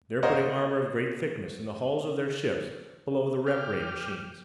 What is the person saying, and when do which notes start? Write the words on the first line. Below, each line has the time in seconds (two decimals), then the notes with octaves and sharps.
They're putting armor of great thickness in the hulls of their ships below the rep-ray machines.
0.23 A#4 C5 C#5 D#5 F5 F#5
3.47 G4 F6